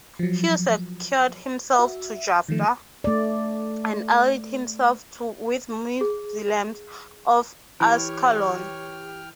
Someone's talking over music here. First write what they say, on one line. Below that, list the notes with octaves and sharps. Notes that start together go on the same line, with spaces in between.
Hugh secured himself to Jaffa, and allied himself with the Muslims of Ascalon.
F3 F#3
F#4 E5
D#3 F3 A3
A3 D5
G#4
E3 G4 C#5 G5 F6